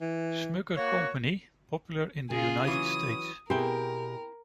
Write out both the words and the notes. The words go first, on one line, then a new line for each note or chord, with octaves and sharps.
Smucker Company popular in the United States.
E3
A#3 F#4 C#5
C#3 A#3 F4 G#4
E3 F#3 C#4 D#6
B2 C4 E4 G4 G#4 A#4 G5